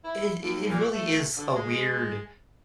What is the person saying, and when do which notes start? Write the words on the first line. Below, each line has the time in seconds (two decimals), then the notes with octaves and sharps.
it i it really is a weird
0.03 E4
0.41 D#2
0.70 A#2
0.91 A3
1.35 D3
1.55 G#3